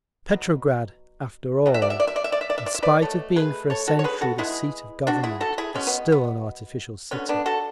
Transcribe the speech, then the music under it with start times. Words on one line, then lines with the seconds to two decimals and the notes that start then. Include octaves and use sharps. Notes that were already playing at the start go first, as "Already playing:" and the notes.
Petrograd, after all, in spite of being for a century the seat of Government, is still an artificial city.
0.29 B2 F#3
1.66 B2 F#3
1.74 E5
1.82 D5
1.90 E5
2.00 D5
2.07 E5
2.16 D5
2.24 E5
2.32 D5
2.41 E5
2.50 D5
2.58 E5
2.66 D5
2.74 E5
2.83 B4 D5
3.02 B2 A3 A4 C#5
3.36 G#4 B4
3.70 A4 C#5
3.88 F#4 A4
3.99 C#5
4.04 G#4 B4
4.21 F#4 A4
4.38 E3 G#3 B3 E4 G#4
5.07 D4 F#4
5.23 E4 G#4
5.41 F#4 A4
5.58 E4 G#4
5.74 B2 G#3 B3 C#4
5.87 B3
6.12 B3
7.11 D3 F#3 B3 C#4
7.29 B3 D4
7.46 F#4 A4